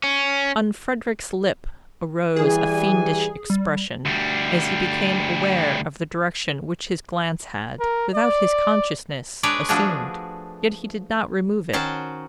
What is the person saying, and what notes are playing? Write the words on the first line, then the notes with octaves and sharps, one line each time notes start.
On Frederick's lip arose a fiendish expression, as he became aware of the direction which his glance had, without his consciousness, assumed. Yet he did not remove it.
C#4
E3 G3 G#4 G#5
G3
D2 G3
A#4
D5
G#3 D4 B4 C#5 D5
F3 A3 D4 F#4 G#4
D#3 C#4 F#4 C5 A5